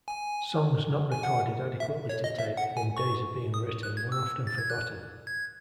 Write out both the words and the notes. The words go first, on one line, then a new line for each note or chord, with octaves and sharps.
Songs not recorded adequately to tape within days of being written were often forgotten.
G#5
G#5
F#5
E5
C#5
D#5
E5
F#5
G#5
C#6
D#6
F#6
G#6
E6
A6
G#6
F#6
G#6